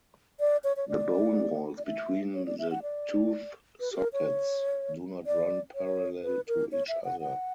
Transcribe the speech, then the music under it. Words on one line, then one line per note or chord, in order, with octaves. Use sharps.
The bone walls between the tooth sockets do not run parallel to each other.
D5
C#5
C#5
D5
D5
E5
C#5
D5
E5
F#5
D5
B4
G4
A#4
C#5
D5
C#5
B4
A#4
C#5
E5
F#5
F#5